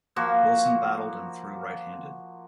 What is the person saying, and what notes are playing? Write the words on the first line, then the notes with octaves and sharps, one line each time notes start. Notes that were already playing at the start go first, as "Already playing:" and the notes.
Wilson batted and threw right-handed.
F3 A#3 F#4